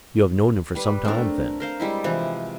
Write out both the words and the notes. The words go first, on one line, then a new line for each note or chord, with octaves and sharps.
"You have known him for some time, then?"
G3 B4
A3 C4 D4 A#4
A#4 C5 F5
G3 G#3 E4
C3 E3 F3